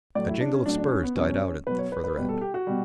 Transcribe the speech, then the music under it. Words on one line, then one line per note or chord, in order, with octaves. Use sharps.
A jingle of spurs died out at the further end.
A2 F#3 D5
E4
D4
C#4
A2 F#3 D4
D4
C#4
B3
B2 F#3 C#4
B2 F#3 B4
C#5
B4
B4
B2 G3 B4
A4
G4
F#4
B2 G3